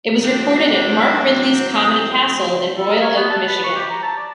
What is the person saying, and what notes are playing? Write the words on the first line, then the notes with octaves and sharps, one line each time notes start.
It was recorded at Mark Ridley's Comedy Castle in Royal Oak, Michigan.
G#2 E3 F#3 C4 D4 G5
A4
A#4
C#5
B3
A5
B4
C#6
G4
A#5
A5
D5